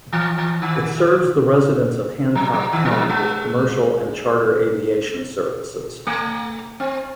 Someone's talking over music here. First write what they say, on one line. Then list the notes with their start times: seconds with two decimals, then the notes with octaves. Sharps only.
It serves the residents of Hancock County with commercial and charter aviation services.
0.12 E3
0.38 E3
0.62 D#3
2.35 F#3
2.53 F#3
2.72 D#3
2.85 E3
2.91 F#3
3.09 G#3
6.07 A3
6.80 C4